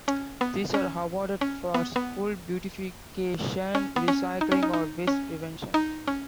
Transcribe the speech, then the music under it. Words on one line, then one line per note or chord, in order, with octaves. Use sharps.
These are awarded for school beautification, recycling or waste prevention.
C#4
B3
C#4
C#4
B3
B3
C#4
B3
C#4
D#4
C#4
D#4
D#4
C#4
D#4
C#4